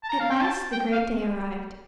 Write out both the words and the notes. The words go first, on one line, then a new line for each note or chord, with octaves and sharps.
At last the great day arrived.
A5
A#5
F5
G5
A5
G5
F5